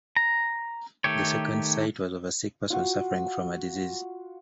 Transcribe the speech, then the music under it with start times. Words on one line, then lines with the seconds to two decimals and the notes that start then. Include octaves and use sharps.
The second sight was of a sick person suffering from a disease.
0.16 A#5
1.04 D#3 A3 G4 C#5
2.70 F4 F#4